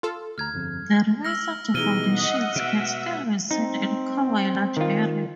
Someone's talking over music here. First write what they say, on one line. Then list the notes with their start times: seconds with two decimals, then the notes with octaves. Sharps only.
The remains of the foundations can still be seen and cover a large area.
0.03 F4 A4
0.38 D2 A#5 F6 G#6
0.54 G1 F2
1.25 E6 F6 A#6
1.74 B2 E3 D#4 G4 G#4 F6 D#7 G7
2.13 D#5 F#5
2.56 B2 E5 F#5
3.51 C4 D#4
4.77 D#3 F4